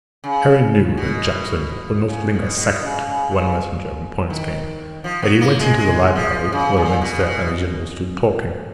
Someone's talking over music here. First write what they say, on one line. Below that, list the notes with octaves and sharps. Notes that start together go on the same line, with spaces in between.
Harry knew that Jackson would not linger a second, when a messenger of importance came, and he went into the library where the minister and the general stood talking.
C#3
B2
C#3
B2
B2
C#3
C#3
C#3
D#3
F3
F#3
A#3
G#3
G#3
F3
C#3
A#2
B2
B2